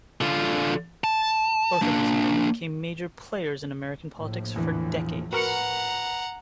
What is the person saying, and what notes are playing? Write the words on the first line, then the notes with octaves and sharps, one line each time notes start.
Both of these men became major players in American politics for decades.
D3 F4
A5
A#3 D4
A#1 A2 F3
E2 D3 E3
F#4 A#4 B4 F#5 A#5 C#7